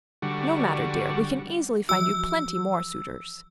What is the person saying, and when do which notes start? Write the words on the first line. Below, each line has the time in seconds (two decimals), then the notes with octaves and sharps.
No matter, dear, we can easily find you plenty more suitors.
0.22 D3 G3 F#4
1.89 E3 F3 F#4 E6